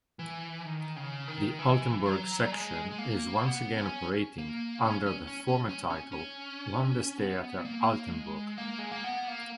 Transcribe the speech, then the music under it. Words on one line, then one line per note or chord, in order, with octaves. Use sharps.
The Altenburg section is once again operating under the former title "Landestheater Altenburg".
E3
D#3
C#3
D#3
E3
F#3
G#3
G#3
A#3
B3
C#4
A#3
C#4
C#4
C#4
C#4
C#4
C#4
C#4
B3
A#3
G#3
A#3
G#3
A#3
B3
A#3